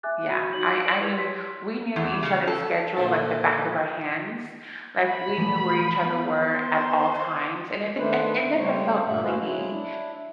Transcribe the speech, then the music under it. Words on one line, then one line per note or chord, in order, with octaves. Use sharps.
Yeah. I I knew we knew each other's schedule, like, the back of our hands. Like, we knew where each other were at all times, and it didn and it never felt clingy.
E5 G#5 D6 F#6 A6
F#4 B5 D#7
D#4 F#4 C#5 G6 F#7
A#4 C#5 D5 C7 D7 F#7
E4 G4 B4 E6 G#6 F7
G4 C#5 C6 B6
E2
C#3
A4
A#2 D3 A4 C5 E5 A5
B5
E3 F3 A3
B3
C5
D#3 A3 D4 B4 C5
C#3 G3 A3 C5 C#5
G2 A#2 D3 A3 E5 F#5
C#4 E4 F#4 B4 C5 F5
F#3 G#3 E4
D4 E4